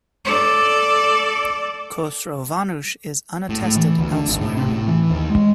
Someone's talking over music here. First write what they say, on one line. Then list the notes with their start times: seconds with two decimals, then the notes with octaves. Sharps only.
Khosrovanush is unattested elsewhere.
0.25 A4 D5
3.49 A2
3.63 A2
3.76 E3
3.99 D2
4.11 D3
4.28 G#1
4.41 A2
4.57 C3
4.69 A2
4.88 E3
5.10 D#2
5.29 G#3